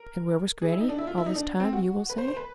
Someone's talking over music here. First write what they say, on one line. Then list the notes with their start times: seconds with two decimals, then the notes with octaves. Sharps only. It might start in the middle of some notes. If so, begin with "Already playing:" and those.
And where was Grannie all this time, you will say?
Already playing: A#4
0.62 G#4
0.72 E4
0.80 D#4
0.89 D4
0.98 E4
1.07 F4
1.18 E4
1.26 D#4
1.35 D4
1.60 C4
1.73 F#4
2.09 B4
2.18 C5
2.28 C5
2.37 B4